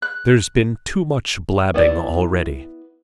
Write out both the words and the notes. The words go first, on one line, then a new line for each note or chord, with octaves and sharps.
"There's been too much blabbing already."
F#6
B3 E4 D5